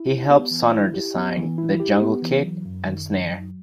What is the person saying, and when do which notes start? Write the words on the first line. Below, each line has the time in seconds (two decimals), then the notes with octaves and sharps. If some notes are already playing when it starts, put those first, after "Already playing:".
He helped Sonor design the Jungle kit and snare.
Already playing: E4
0.08 G4
0.30 B3
0.51 E3
0.73 E4
0.94 G4
1.16 B3
1.37 E3
1.58 E4
1.80 G4
2.01 B3
2.23 E3
2.44 F#3
2.65 F#2
2.87 D#3
3.08 F#2
3.29 F#3